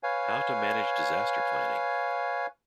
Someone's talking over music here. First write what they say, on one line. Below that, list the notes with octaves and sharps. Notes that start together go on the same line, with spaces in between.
How to manage disaster planning?
B4 C#5 F5 G#5